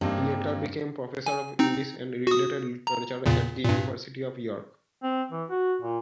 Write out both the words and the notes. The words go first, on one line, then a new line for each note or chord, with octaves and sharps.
He later became Professor of English and Related Literature at the University of York.
G2 A#3 C4 D#4
G#5
C4 D#4
F#4 D#6
A#5
E2 A#2 C#3
G2 A#2
C4
E3
F#4
A#2